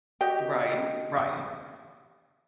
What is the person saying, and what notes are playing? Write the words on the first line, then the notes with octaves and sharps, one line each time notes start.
Right, right.
F#4 G4 D#5 G5